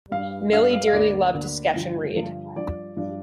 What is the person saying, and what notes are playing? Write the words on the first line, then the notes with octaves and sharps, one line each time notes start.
Millie dearly loved to sketch and read.
G2 G3 D4 F5
G2 G3 D4 F5
F5
F5
D2 D3 A#3 D5
D2 D3 A#3
G2 D3 F3
G2 D3 F3
G2 F3 D4 D5
G2 F3 D4